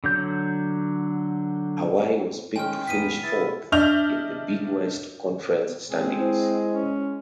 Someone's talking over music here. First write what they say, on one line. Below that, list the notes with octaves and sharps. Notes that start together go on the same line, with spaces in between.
Hawaii was picked to finish fourth in the Big West Conference standings.
D3 F#3 G6
D#3 G#3 C#4 G5 G#5 F6
E2 G#2 B3 B6 D#7
B3 E4 A6
D4 D#5 E5 F6 G6 F7
G#3 C4 G#4
E4 C5
C#4